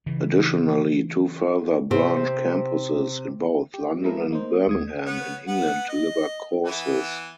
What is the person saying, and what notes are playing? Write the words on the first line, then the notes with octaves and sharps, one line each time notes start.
Additionally, two further branch campuses in both London and Birmingham in England deliver courses.
C#3 E3
C3 C4
G4
F#3 G#3 B3 E4 A4 A#4
A#3 D#4 C5
D#2 D#6 G#6
B3 C#5
B3 F#5
D#5
E3 B3 E4